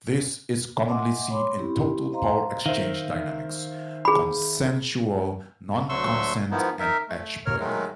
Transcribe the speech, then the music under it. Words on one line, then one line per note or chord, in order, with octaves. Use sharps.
This is commonly seen in total power exchange dynamics, consensual non-consent, and edgeplay.
D#5 E5 F#5 G#5 C6 D6
C#5 B5 C6 D6
C4 C#4 E4 G4 B5
C5 D#5 F5 A#5 C6
D#3 C5 E5 F5
G#4 B5
D2 F#3 A3 C6 C#6 E6
G#2 D#3 F3 B3 D#4 E4
D#4 A#4 E5
A3
D#2 A#4 C#5 F6
D#3 F#3 G#3 A3